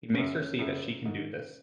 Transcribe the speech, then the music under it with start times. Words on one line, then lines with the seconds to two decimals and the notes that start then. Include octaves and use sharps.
He makes her see that she can do this.
0.14 F#2 C#3 C#4
0.59 F#2 C#3
1.05 G#2 D#3